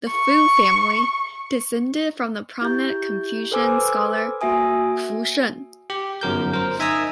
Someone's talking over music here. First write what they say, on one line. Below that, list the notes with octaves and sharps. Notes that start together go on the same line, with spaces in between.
The Fu family descended from the prominent Confucian scholar Fu Sheng.
C#6
E4 G4 G6
A4 B4 C5 G#5 D6 E6
A#3 F#4 E5 G#5 D#6
G4
G1 F#2 A#4 G6
A#4 C5
D#4 E5 G#5 A#5 D#6 E6